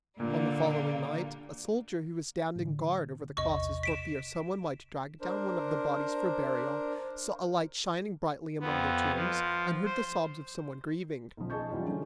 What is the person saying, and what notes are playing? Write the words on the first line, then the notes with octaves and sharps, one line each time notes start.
On the following night, a soldier who was standing guard over the crosses for fear someone might drag down one of the bodies for burial, saw a light shining brightly among the tombs, and heard the sobs of someone grieving.
A#2 D3 G3 A#3
A2 D3
A#1 E2 C3 D#5 C#6
B6 D7 E7
D4 A#4 C5
F2 B3
F3
C5
B1 F3
G#4 D#5 A5 C#6 G6
E3 F#3 G3 C#4 F4
D3 F3 A3 C#4